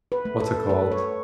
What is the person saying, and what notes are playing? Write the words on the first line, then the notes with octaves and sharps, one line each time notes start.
what's it called
B4
A3
A4
A3 B4
C#5